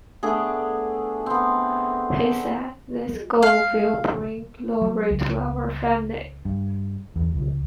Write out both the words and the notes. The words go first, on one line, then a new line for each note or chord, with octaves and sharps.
He said, This girl will bring glory to our family.
A3 B3 D4 G#4
B3 C4
F5
F#3
C#2
G2
E2
C#2